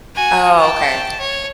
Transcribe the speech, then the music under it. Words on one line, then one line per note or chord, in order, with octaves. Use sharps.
Oh, okay.
F#4 G#5
G5 A5
C#5